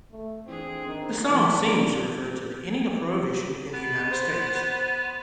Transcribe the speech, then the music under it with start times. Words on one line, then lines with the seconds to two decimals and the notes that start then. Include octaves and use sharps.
The song seems to refer to the ending of Prohibition in the United States.
0.12 A3
0.46 E3 C4 D4 G#4
0.87 D#3
1.26 C3 E3 B3 D4
1.62 F#2
3.73 B3
4.11 C5